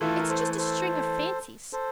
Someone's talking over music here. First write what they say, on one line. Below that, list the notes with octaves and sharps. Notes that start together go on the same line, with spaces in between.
It's just a string of fancies.
E3 A3 E4 F4 A4
A#4
A4 C5
A4 C5
A4 C5